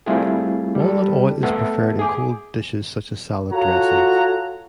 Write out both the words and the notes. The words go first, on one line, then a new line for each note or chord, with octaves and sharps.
Walnut oil is preferred in cold dishes such as salad dressings.
G3 A3 C4 E4 F4 G#4
G3 A4
A3 B3 A4 E5 F#5
G#4 G#5 D6
F4 F#4 A4 C#5 F#5 A#5